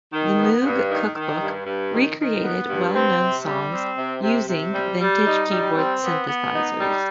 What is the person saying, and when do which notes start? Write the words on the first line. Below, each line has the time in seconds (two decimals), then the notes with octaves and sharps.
The Moog Cookbook recreated well-known songs using vintage keyboard synthesizers.
0.12 D#3
0.37 B3
0.63 G2
0.89 D#3
1.15 D#3
1.41 G2
1.66 G2
1.92 D#3
2.18 D#3
2.42 B3
2.69 G2
2.94 C4
3.19 C3
3.45 G3
3.72 C4
3.97 C3
4.22 C3
4.47 C3
4.73 G3
5.00 G3
5.26 D#4
5.50 G3
5.76 C4
6.02 B3
6.27 B3
6.54 D#4
6.79 G3